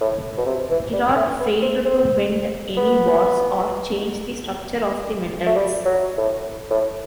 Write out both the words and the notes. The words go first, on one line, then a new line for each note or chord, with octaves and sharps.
Girard failed to bend any bars or change the structure of the metals.
A2
B2
C3
E3
G3
A3
B3
C4
C4
B3
A3
G3
F#3
A2
A2